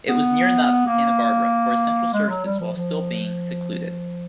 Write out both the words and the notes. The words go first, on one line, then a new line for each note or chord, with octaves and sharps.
It was near enough to Santa Barbara for essential services while still being secluded.
B3
A#3
G#3
F#3
G3
F3
F3